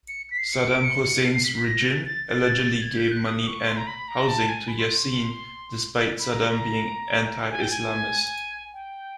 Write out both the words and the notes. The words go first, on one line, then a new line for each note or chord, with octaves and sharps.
Saddam Hussein's regime allegedly gave money and housing to Yasin, despite Saddam being anti-Islamist.
C#7
B6
C7
C#7
D7
C#7
C#7
C7
B6
B6
A#6
A6
A6
A6
A6
G#6
G6
F#6
D#6
C#6
C6
A#5
B5
A#5
A5
G#5
B5
C6
B5
A#5
G#5
G5
G#5
G5